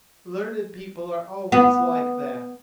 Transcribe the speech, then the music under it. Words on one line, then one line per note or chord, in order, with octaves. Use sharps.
Learned people are always like that.
B3